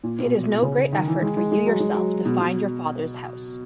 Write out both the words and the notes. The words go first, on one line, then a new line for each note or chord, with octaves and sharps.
It is no great effort for you yourself to find your father’s house.
A#2
B2
C#3
C#3
D#3
E3
G#3
G#3
G#3
F#3
G#3
F#3
B2
B2